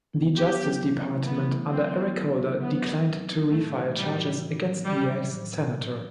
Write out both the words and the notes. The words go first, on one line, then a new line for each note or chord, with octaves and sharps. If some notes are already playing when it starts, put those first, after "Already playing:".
The Justice Department under Eric Holder declined to refile charges against the ex-Senator.
B3 E4
F#3 G4
B3 E4
E3
A3 E4
E3 B3
A3 E4
F#3 C4
B3 E4
F#3
B3 E4
F#3 B3
C4 D#4
F#3
C4 D#4
A2 A3
E3 A3 D#4 F#4
A2 G3
E3 A3 D#4 F#4
D#3
F#3 C4
D#3 G3
F#3 C4
A2